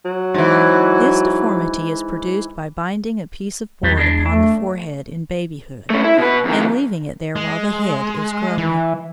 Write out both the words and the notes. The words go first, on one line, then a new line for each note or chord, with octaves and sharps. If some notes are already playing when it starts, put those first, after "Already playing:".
This deformity is produced by binding a piece of board upon the forehead in babyhood and leaving it there while the head is growing.
F#3
G#2 E3
E2 F#3 G3
G#3 D4
A3 D4
A3 C#4
E4
B2 B4
F2 D#3
G#3
E3